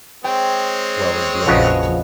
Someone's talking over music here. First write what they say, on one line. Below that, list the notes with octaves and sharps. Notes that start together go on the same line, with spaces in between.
Swell blowout.
G#3 C4 C#5 G5
A#1 F2 C#3 F3 F#4 B4 D#5